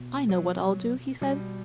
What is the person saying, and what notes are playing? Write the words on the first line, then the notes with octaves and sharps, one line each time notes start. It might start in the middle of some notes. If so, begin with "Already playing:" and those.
"I know what I'll do," he said.
Already playing: B2
F#3
B2 G3